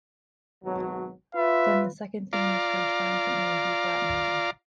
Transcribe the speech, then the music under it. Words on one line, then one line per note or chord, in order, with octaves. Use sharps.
Then the second theme is heard triumphantly in B-flat major.
G#1 B2 F#3
F4 B4 E5
F4 D5 F5 A#5 D6